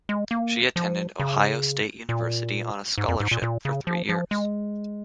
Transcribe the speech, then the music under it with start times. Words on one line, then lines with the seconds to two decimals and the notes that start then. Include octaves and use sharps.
She attended Ohio State University on a scholarship for three years.
0.09 G#3
0.31 A#3
0.76 F3
1.20 C#3
2.09 A#2
2.98 G#2
3.08 F2
3.20 G#2
3.31 A#2
3.42 A#2
3.65 C#3
3.87 F3
4.09 F3
4.31 G#3